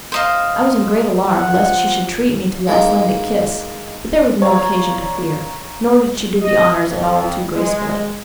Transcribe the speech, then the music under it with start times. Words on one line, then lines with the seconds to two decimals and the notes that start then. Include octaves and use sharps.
I was in great alarm lest she should treat me to the Icelandic kiss; but there was no occasion to fear, nor did she do the honours at all too gracefully.
0.12 C5 D#5 F5
1.29 F3 F#5
2.67 G#3 A#3 D#4
4.42 C#5 D5 F5 A#5
6.41 D#5
6.84 F2
7.54 G#3